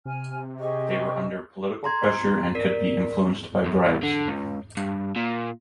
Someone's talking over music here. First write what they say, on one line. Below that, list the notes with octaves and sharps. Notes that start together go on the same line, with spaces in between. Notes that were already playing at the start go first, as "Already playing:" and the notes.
They were under political pressure and could be influenced by bribes.
C3 G#5 F6
G4 G#4 D#5 C#6
A#5 C6 G#6
A#4 D5 B6
F#2
C2
D3
C#2
G2
A#2